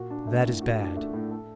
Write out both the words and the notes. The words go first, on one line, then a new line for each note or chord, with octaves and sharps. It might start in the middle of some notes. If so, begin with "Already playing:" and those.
That is bad!
Already playing: A#2 F#4
D4
A3
A2
F#4
D4
A3
A2
A4